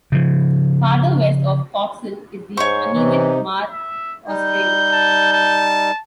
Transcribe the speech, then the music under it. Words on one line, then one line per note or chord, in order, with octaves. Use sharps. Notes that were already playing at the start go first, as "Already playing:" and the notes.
Farther west of Pogson is the uneven Mare Australe.
C#3 F3
G#2 C5 C#5 C#6
C3 E3 D#4
E5
G3 D#4 G6
A5
A5